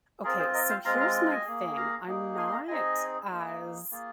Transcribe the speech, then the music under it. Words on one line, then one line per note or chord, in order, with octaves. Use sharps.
Okay. So here's my thing, I'm not as
C4 F4 G#4 A#4
G#4 C5
A#4 D#5
C5 F5
G#3 C4 F4 F5 A#5
F5 A#5
D#5 G#5
A#3 G#4
F5 A#5
A#3 D#4 G#4
G#5 C6
C6
F5 A#5
C4 D#4 G#4 D#5 G#5
A#3 D#4 G#4
A#3 F4 G#4